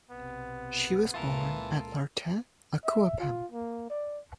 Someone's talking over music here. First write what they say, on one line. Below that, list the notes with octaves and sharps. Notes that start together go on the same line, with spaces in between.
She was born at Larteh Akuapem.
B1 C3 B3
C#2 A#2 E3 F4 A4 A#4
E5
F4
A#3
D5